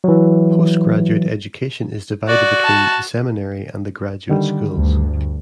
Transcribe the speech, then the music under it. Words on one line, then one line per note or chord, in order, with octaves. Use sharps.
Postgraduate education is divided between the seminary and the graduate schools.
E3 F#3
F#4 D5
A5
D3 D#3 G3
D2 G2